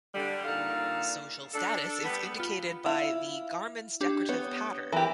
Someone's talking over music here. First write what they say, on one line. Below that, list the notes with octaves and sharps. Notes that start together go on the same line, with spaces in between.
Social status is indicated by the garment's decorative pattern.
D3 G3
A#2 D3 D#4 A4 F5
D4 A4
G3 B3
F4 B5
E4 F5
D4 G4
B3 C#5
E3 G4 A#4